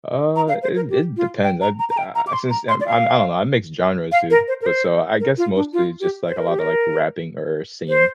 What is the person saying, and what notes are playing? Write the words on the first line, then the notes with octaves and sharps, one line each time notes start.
Uh, it it depends, I'd uh, uh, since I'm I'm I don't know, I mix genres, dude, but so, I guess mostly just like a lotta, like, rapping, or singing,
A#5
F5
C5
A#4
G4
F4
G5
A#5
A#5
A#5
G5
A#5
D6
C6
A#5
C6
D5
F5
F5
A#4
C5
A#4
C5
A#4
F4
D4
F4
G4
C5
A#4
G4
A#4
C5